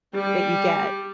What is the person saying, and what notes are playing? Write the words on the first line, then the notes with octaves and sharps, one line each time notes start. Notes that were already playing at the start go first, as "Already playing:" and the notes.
that you get.
G3 G4